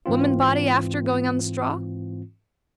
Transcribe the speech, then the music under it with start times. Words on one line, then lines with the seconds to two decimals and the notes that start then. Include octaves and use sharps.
Womanbody after going on the straw?
0.06 G#2 E3 C4 F4